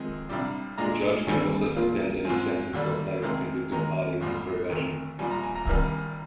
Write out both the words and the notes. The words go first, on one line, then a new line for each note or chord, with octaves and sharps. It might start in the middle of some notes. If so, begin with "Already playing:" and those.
The judge can also suspend any sentence or place a convicted party on probation.
Already playing: F2 C3 D#3 G#3 C4 G#5
C2 C3 G3 D4
A#2 G#3 D4 A#5
D#2 D3 G3 C4 G#5
A#2 F3 A#3
G#2 F3 C4 G#5
D#2 D3 G3 D4
C2 C3 D#3 G#3 C4
D#2 D#3 G#3 A#5
A#1 G#2 G3
D2 C3 D#3
A#1 A#2 G3 G#5
A#5
G#5
A#5
C2 C3 D#3 G3 G#5